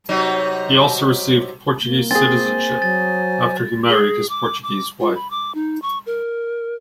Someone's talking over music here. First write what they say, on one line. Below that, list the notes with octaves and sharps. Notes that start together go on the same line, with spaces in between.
He also received Portuguese citizenship, after he married his Portuguese wife.
C3 F#3 D#4
A#3 G7
C4 G#4 C5 G#5 A6
F#3 A6
G#4
D6
D6
F4
B5
D6
D#4
C#6
A#4